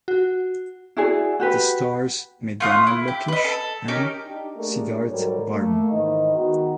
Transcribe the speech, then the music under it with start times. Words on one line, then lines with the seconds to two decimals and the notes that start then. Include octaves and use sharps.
It stars Meghana Lokesh and Siddharth Varma.
0.08 F#4
0.97 E4 F#4 G#4 D5
1.40 F#4 G4 B4
2.60 A3 F4 D#6 F#6
2.87 E4
3.08 G4
3.28 B4 D#5
3.45 A4
3.88 C#4 D#4 G4 A#4
4.25 D4 D#4 G4
4.56 A3 A#3 D4 G4 G#4 A#4
5.10 G#2 F#3 G3 A4 A#4 C#5
5.50 A3 A#3
5.90 G#2 D#3 E3 D#5
6.35 D#3 G#3 B3 D#4 F#4